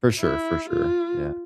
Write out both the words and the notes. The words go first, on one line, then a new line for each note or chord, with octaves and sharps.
For sure, for sure. Yeah.
E4
F4